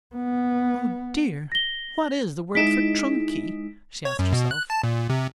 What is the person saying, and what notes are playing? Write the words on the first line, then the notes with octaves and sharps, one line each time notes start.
"Oh dear! what is the word for trunk-key?" she asked herself.
B3
A#6 G7
G#3 D#4 E4 B6 D7 E7
C#5
F#2
B2
F#6
A5
A#2
C3